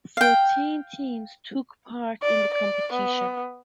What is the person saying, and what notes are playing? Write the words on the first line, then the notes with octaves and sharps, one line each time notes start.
Fourteen teams took part in the competition.
F5 G5
D5
D5
B3